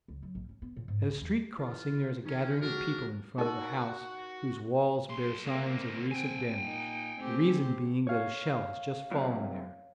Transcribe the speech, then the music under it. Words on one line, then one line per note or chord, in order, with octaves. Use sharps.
At a street-crossing there is a gathering of people in front of a house whose walls bear signs of recent damage, the reason being that a shell has just fallen there.
C#2
F#3
A#1
C#4
B3
A#2
G#2
C2
E2
E3 F4 B4
D#3 C#4
D#2 F3 G#3 D4 F#4 A#4
D#4 F#4 A#4
B1 C6
D2 A#3 C4
C4 G5 G#5
A#2 D#4
A3 C4 G4
C#5 F5
F#2 C3